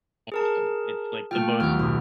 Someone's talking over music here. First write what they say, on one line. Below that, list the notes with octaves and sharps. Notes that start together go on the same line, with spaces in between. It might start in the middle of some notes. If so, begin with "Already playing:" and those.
awesome. It's, like, the most
G#4 A#4 A5
A3 F4 G5 F6
D#2 F#3 B3 F6
B1